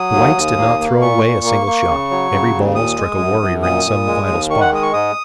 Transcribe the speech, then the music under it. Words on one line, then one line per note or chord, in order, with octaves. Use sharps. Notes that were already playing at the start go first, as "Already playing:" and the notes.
The whites did not throw away a single shot; every ball struck a warrior in some vital spot.
Already playing: F#3 D#6
D#2
D#2
A#3
A#3
A#2 C#6
A#2
A#3
A#3
C#3
F#3
C#3
D#2
A#2 D#6
G#3
F#2
F#2
A#2 D#6
A#2
G#3
D#2
D#3 C#6
F#5
G#3 D#6
C#6
G#2 D#6